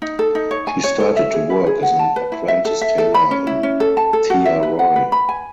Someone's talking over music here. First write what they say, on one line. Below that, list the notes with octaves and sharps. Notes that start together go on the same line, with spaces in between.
She started to work as an apprentice tailor in Thiaroye.
D#4
A4
D#4
C#5
G#5
C#5
A4
E5
G#4
B4
G#4
F#5
A5
B4
E4
E5
A4
E5
A4
B5
C#4
E4
C#4
A4
A5
A4
F#4
E5
B4
F#5
B4
B5
G#5